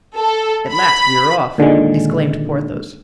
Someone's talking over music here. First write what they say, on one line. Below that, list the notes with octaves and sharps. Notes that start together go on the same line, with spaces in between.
"At last we are off!" exclaimed Porthos.
A4
B5
A#2 D3 D#3 G#3